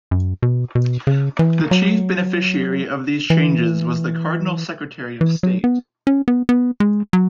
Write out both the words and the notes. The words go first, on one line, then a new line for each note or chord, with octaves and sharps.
The chief beneficiary of these changes was the Cardinal Secretary of State.
F#2
B2
B2
C#3
E3
F#3
E3
E3
F#3
B3
C#4
B3
B3
G#3
F#3